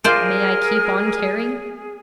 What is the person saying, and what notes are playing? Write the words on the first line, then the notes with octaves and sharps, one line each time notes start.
May I keep on caring?'
F4 G#4 A#4 C5 D5 F6